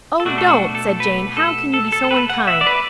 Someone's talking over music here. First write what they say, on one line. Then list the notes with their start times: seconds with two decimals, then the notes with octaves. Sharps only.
'Oh, don't!' said Jane; 'how can you be so unkind?
0.20 A4
0.25 B2 A3 D4 F#4
0.38 A4
0.50 F#4
0.75 A4
1.00 B4
1.37 A4
1.74 A4
1.92 A4
2.05 A4
2.11 B4
2.29 F#5
2.47 E5
2.61 D5
2.67 B4